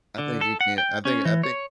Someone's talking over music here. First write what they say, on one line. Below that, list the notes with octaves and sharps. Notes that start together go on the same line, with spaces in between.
I think it can I think I think,
D3
A4
F#5
G5
C#4
E3
C#5